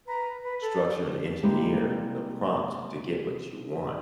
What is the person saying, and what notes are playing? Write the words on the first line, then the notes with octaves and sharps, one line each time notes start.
structure and engineer the prompt to get what you want.
B4 A#5
B4
A4
C3 G3 G#3 A#3 E4 G4